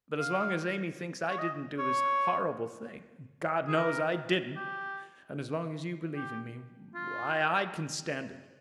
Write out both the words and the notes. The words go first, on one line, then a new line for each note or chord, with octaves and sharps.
But as long as Amy thinks I didn't do this horrible thing--and God knows I didn't--and as long as you believe in me--why I can stand it.
F5
C#5
D#5
C#5
G#4
A#4
G4
G4
F4